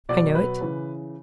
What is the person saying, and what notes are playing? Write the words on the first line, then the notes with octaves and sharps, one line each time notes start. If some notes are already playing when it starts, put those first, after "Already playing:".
"I know it."
B2 F#3 D5
B4
C#3 E3